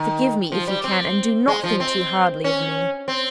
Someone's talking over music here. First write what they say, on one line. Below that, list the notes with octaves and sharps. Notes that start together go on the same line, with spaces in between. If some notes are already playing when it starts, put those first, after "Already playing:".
Forgive me if you can, and do not think too hardly of me.
Already playing: D#3
F3
G3
C4
G#3
F3
C4
C#4
C4